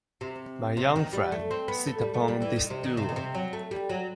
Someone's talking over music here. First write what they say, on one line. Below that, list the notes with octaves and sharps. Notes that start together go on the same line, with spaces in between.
My young friend, sit upon this stool.
C3
C3
D#3
G3
A3
C4
B3
A3
G3
A3
G3
E3
D#3
C3
D#3
C3
D#3
C3
F#3
A3
G3
F#3